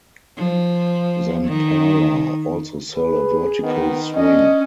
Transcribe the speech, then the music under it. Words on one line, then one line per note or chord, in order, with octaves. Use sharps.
Zamperla also sell a Vertical Swing.
F3
D#3
G#4 B4
D#3 B3
C#4 D4 D#5